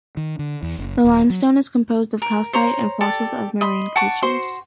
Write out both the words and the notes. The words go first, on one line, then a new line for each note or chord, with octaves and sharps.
The limestone is composed of calcite and fossils of marine creatures.
D#3
D3
E2
F#1
D#1
F#3
A#4
C5 C#5 A#5
G4 A4 D5
D#5 B5 C6
F#5 A5 C#6 D6
F#4 C5 C6